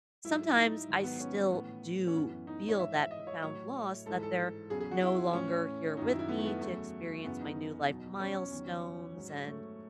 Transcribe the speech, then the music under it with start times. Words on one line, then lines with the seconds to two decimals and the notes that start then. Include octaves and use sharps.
sometimes I still do feel that profound loss that they're no longer here with me to experience my new life milestones and
0.25 G#2 F#3 E4
0.56 D#4
0.88 G#2 D#3 F#3
1.04 B3
1.20 C#4
1.52 A2 E3 B3
2.07 C#4
2.15 F#2 E3 B3
2.47 D#4
2.68 C#5
2.79 G#2 E3 E5
2.95 E5
3.11 D#5
3.27 C#5
3.42 A2 F#3 C#5
4.06 G#2 E3 A4
4.23 A4
4.70 E2 C#3 F#3 G#4
4.80 G#4
4.91 F#4
5.02 E4
5.33 A2 E3 C#4
5.97 F#2 D#3 F#3 D#4
6.08 E4
6.19 E4
6.28 B3
6.37 A3
6.46 B3
6.61 E2 C#3 F#3 A3
7.24 F#2 C#3 E3 B3
7.41 D#4
7.89 E2 B2 F#3
8.20 C#4
8.52 E2 D#3 F#3
9.16 G#2 F#3
9.47 A3